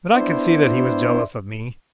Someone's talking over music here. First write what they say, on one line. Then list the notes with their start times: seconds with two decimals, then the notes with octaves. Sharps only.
But I could see that he was jealous of me.
0.13 B3 D4 E4 C5